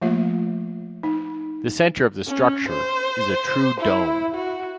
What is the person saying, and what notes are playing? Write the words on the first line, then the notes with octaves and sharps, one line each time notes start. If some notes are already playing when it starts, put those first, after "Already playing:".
The center of the structure is a true dome.
F3 A3 A#3 F4 E5
D#4
C#4
C5
E4
F#4